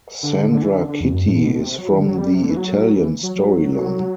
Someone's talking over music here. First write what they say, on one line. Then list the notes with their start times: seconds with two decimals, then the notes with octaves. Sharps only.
Sandra Citti is from the Italian Storyline.
0.23 D3
0.51 D3
0.62 E3
0.74 D3
0.87 D3
1.01 E2
1.13 F#2
1.27 A2
1.39 B2
1.55 B2
1.60 C3
1.79 F#3
1.89 E3
1.98 D3
2.08 F#3
2.18 G3
2.35 C3
2.43 D3
2.50 E3
2.57 F#3
2.96 E3
3.23 F#3
3.36 F#3
3.74 F#3